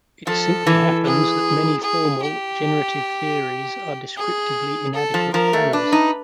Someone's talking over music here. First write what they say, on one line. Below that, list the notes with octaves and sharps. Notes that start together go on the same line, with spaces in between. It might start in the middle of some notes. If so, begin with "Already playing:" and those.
It simply happens that many formal, generative theories are descriptively inadequate grammars.
F3 A4
E3
G#4
G#4
G4
G#4
A4
F3
F3 A#4
A3
D4 B4
D#4